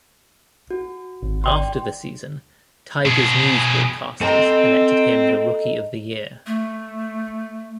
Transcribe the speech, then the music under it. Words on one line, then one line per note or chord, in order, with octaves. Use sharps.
After the season, Tigers news broadcasters elected him the Rookie of the Year.
F#4
G#1
D5 G5 C6
B2 G#4
C4 A4 D#5 G#5 A#5
A3